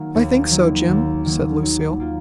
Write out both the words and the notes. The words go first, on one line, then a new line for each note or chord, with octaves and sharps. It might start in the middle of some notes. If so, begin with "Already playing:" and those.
"I think so, Jim," said Lucille.
Already playing: D#3 F#3 A#3
D#2
D#3 F#3 A#3
D#2
D#3 F#3 A#3
F#3
A#3 F4